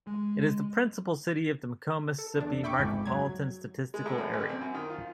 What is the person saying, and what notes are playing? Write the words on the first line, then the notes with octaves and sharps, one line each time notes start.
It is the principal city of the McComb, Mississippi Micropolitan Statistical Area.
G#3
A4
E2 D4
E5 G5 B5 C#6 D6
G1 F2 G#2
F#3 G#6
G#3
A2
F#2
A1
C4
F#2
D#3
F4